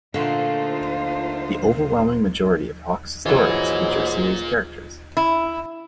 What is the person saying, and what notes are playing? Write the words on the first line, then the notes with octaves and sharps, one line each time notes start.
The overwhelming majority of Hoch's stories feature series characters.
A#2 D3 A3 A#3 D#4 F4 C5
G#2 E3 F#3 F4 A#4
E4